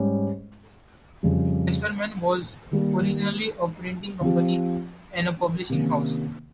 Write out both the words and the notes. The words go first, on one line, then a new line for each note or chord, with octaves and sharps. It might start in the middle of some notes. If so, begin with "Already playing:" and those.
Casterman was originally a printing company and publishing house.
Already playing: G#2 G3 C#4 G4
F2 C#3 G3
D#3 G3 A#3
F3 C4 G4
C3 D#3 A#3 C#4